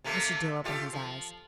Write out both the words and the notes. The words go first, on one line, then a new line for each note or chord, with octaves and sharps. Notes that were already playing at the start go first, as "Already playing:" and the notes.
Mr. Dill opened his eyes.
C3 A3 A#3
A3 F4 G4
F3